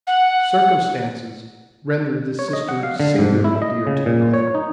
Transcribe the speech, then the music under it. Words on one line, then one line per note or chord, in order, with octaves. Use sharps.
Circumstances rendered this sister singularly dear to the author.
F#5
C#5
D#5
F#5
F5
D3
G#2
E4
D#5
C#3
A#2
C#5
D#4